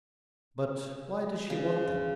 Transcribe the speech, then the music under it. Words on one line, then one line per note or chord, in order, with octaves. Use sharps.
"But why does she want them?"
C#3